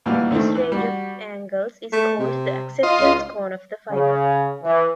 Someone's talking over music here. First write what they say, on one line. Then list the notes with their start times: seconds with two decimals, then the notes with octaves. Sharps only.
This range of angles is called the acceptance cone of the fiber.
0.06 D#2 A#2 E3 G3 F#4 F5
0.31 D2 D#3 A3 C4
0.55 E3
0.72 G3 F#4
1.93 A3
2.20 C3
2.83 F4 D#5 C6
2.99 C#2
3.91 C#3
4.63 E3